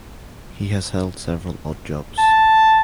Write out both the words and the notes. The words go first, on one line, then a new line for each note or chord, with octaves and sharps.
He has held several odd jobs.
A5